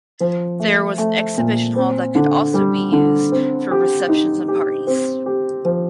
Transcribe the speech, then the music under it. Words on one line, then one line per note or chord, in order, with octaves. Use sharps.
There was an exhibition hall that could also be used for receptions and parties.
F3
A3
A3
A#2
C4
D3
G3
D3
C4
G4
D#4
G4
C4
G4
F3